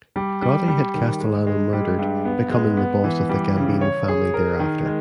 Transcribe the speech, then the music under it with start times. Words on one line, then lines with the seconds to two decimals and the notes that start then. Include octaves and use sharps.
Gotti had Castellano murdered, becoming the boss of the Gambino family thereafter.
0.16 G3
0.42 G3
0.68 G3
0.94 D#3
1.20 G#3
1.47 G#3
1.73 G3
1.99 G2
2.25 B3
2.51 G#3
2.77 B3
3.04 E3
3.29 G3
3.56 C#3
3.81 C#5
4.08 G#4
4.34 A#4
4.59 D#3
4.86 G#3